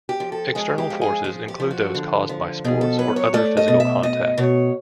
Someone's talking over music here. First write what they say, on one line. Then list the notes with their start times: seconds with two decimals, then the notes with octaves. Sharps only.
External forces include those caused by sports or other physical contact.
0.09 G4
0.20 F3
0.32 A4
0.55 G#3 G#4
0.78 G4
0.90 F3
1.01 G#4
1.24 F3 G#4
1.48 G4
1.60 F3
1.71 F#4
1.95 D3
2.29 F3
2.64 B2 G#4
2.81 A4
2.99 F#3 B4
3.16 C#5
3.34 A3 D5
3.57 D#5
3.68 B2
3.80 E5
4.03 B2 D#5
4.38 B2 C#5